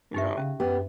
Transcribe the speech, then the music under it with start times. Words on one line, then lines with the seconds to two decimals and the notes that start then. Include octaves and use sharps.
you know.
0.14 G2 D#4 G4 E5
0.37 C#3 C#4
0.60 F#2 B3 G4